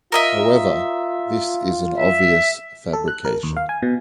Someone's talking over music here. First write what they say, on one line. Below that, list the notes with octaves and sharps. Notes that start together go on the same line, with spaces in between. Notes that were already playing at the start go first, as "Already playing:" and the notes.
However, this is an obvious fabrication.
F4 A#4 D#5 E5
E5
A4
F#6
A#4
D#2
F5
G#5
B2